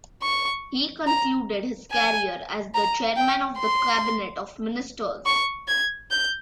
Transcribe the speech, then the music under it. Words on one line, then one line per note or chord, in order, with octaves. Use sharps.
He concluded his career as the Chairman of the Cabinet of Ministers.
C#6
A#5
G#5
A#5
G5
C6
C#6
G#6
G6